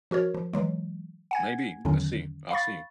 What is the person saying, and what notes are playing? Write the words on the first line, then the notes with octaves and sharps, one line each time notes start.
Maybe, let's see, I'll see,
F3 F#4 A#4 C#5
F3
E3 F#3 G#3
F#5 G#5 G#6
E2 D3 D#3 F#3 C#4
F5 B5 C#6 A6